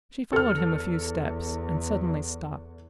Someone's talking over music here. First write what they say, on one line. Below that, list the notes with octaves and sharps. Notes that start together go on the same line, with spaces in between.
She followed him a few steps, and suddenly stopped.
E2 A4 F6